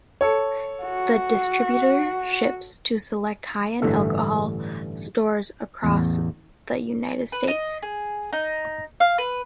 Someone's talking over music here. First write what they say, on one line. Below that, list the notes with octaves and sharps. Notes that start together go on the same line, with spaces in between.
The distributor ships to select high end alcohol stores across the United States.
A4 C#5
F#4
A1 G2 D3 E3 A3 E5
A1 E2
B4
D#5
G#4
D#4
F5
B4